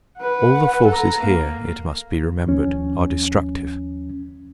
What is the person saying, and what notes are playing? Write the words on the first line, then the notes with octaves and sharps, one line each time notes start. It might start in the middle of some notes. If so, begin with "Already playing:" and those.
All the forces here, it must be remembered, are destructive.
B4 F#5
A4 A#5
A#3
D#2 F3 C#4